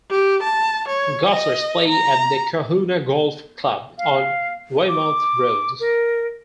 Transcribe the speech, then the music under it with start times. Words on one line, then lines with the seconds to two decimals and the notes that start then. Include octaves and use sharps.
Golfers play at the Cohuna Golf Club on Weymouth Road.
0.10 G4
0.44 A5
0.89 C#5
1.29 D#5
1.88 A#5
3.98 F5
4.88 D6
5.80 A#4